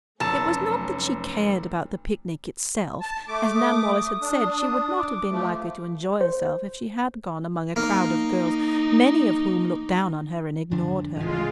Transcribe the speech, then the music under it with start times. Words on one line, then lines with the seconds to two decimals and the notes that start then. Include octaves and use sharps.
It was not that she cared about the picnic itself: as Nan Wallace had said, she would not have been likely to enjoy herself if she had gone among a crowd of girls many of whom looked down on her and ignored her.
0.20 F1 F#3 A3 C#4 A5 A#5 E6 E7
3.01 A5
3.28 A3 D6
3.55 D#6
4.21 D4
4.97 D6
5.30 F3 A3
6.21 C5
7.76 A#3 D#4
10.71 F2 D3 D4
11.16 F1 D2 A2 C#3 E3 G#3 F4